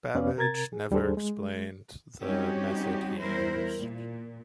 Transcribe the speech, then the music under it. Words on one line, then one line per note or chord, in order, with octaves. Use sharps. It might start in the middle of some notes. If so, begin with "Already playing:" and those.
Babbage never explained the method he used.
F2 B3 C#4 B4 D5 F5
C3 A#4 A#5 G#6 A6
G#4
D#2 G3 D4 G#4 A4 C5
G#3
G3 C4 C#4 D#4 F#4 G4
E2 G3 E4 A#4 C5
A#2